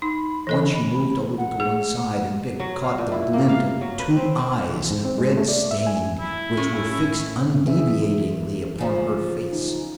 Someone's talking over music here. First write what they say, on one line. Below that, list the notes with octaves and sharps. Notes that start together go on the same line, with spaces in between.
Once she moved a little to one side and Vic caught the glint of two eyes, red-stained, which were fixed undeviatingly upon her face.
D#4 B5
E3 A4 D#5
F#5
G#4
F#3
F5
A#2
E4
A#3
F5
F#3
B4
C4
C4
E3
G#2
C4
G#3
A3
D5
E5
G#5
E4
A2 C#4
E3 G#4 E5
C#3 F3
D#4